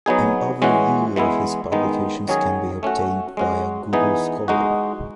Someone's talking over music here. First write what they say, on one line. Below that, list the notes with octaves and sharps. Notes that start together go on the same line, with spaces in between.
An overview of his publications can be obtained via Google Scholar.
F#3 B3 D#4 G#4
E3 G#3 C#4 F#4
E3 G#3 B3 E4
D#3 G#3 B3 D#4
D#3 F#3 C#4 G#4
A3 C#4 F#4
G#3 C#4 F#4
E3 B3 D#4 G#4
G#3 D#4 F#4